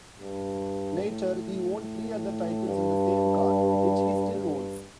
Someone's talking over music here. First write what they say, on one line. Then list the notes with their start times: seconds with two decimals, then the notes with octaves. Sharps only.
Later he won three other titles in the same car, which he still owns.
0.20 G2
1.02 A2
2.66 G2
4.31 G2